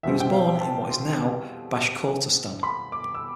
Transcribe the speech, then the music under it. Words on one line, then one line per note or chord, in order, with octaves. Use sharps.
He was born in what is now Bashkortostan.
E2 B2 G3 C4 E5
G5
F5
A5
C6
B5
D6
E6